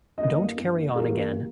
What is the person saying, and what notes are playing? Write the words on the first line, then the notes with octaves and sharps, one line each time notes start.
Don’t carry on again.
G2 G3 A#3 E4 D#5
G2 G3 A#3 E4
E2 C#3 E3 G3 A#3 A#4
G3 A#3